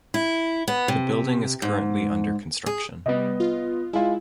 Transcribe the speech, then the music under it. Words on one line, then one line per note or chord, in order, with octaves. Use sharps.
The building is currently under construction.
E4
B3
C3
G#2
G#4
C3 G3 B3 D#5
F4
G#3 E4 F4